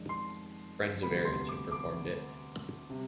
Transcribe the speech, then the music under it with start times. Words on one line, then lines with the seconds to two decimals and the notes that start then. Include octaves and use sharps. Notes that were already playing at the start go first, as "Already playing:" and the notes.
Friends of Aarons have performed it.
Already playing: F2 D#3 G#3 D4
0.09 C6
1.03 D2 C3 G3 B3 B5
1.25 C6
1.49 D6
1.71 D6
2.90 C3 G3